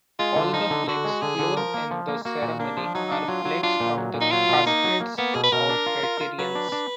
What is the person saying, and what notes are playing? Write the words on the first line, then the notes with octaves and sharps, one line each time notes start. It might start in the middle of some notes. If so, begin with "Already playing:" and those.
All the flags flown in the ceremony are flags from the caskets of veterans.
G#3 F4
D3
F3 D#4
D3
D3 F#4
G#3
D3 G#4
D3
F3 A#4
A#3
F3
A#3
A#3 F#4
A#2
A#3 D4
F3
F#3 D#4
D4
F#3 F4
F#3
D4 F4
A#2
F#3
A#2
D#4
F#3 F4
B2
A#3 D#4
F#3
A#3
A#3 B3
B2 G#4
B4
B2 A#4
D4
F4
F4
F4
F#3 B4
D4
D4